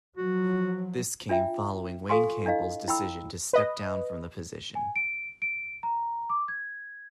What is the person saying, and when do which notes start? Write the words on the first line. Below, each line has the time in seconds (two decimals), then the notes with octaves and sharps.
This came following Wayne Campbell's decision to step down from the position.
0.17 F3 F#3 F#4
1.29 D4 F4 E5 G5
2.09 F4 A4 F5 G#5 C6 C#6
2.46 D4 E4 D#5 F5
2.88 E4 G5 B5 E6
3.53 B4 D#5
4.75 G#5
4.96 D7
5.42 D7
5.83 A#5
6.30 D6
6.48 G#6